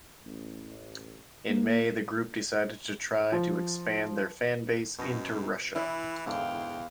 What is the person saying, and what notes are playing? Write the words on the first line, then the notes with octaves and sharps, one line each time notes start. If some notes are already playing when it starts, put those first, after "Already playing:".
In May the group decided to try to expand their fan base into Russia.
A1
A#3
F3
F#2 B2 D#5
E3 E4
E2 G#2 D3 F5 G5